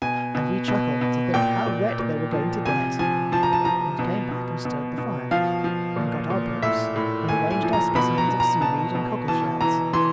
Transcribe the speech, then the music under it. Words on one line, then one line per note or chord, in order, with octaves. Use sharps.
And we chuckled to think how wet they were going to get, and came back and stirred the fire, and got our books, and arranged our specimens of seaweed and cockle shells.
B2 G#5
B2
B2
B2
A#2 G5
A#2
A#2
F3
C3 G#5
F3 G#5
F3 A5
A#5
A5
F3 A#5
B2
B2
B2
B2
F3 F5
F3
A#2
A#2
A2 E5
A2
A2 G#5
G#5
F3
A#5
B2 B5
A#5
B2
A#5
B2 A5
B2
E3 A5
E3 A#5
E3 C6